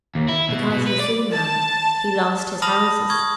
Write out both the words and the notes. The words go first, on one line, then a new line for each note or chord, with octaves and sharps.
"Because, you see, ma'am, he lost his houses."
D#2
E4
B2
B2
B4
D5
A5
A5 B5 D#6 F6 A#6 F#7
C#6 D#6 F6 G#6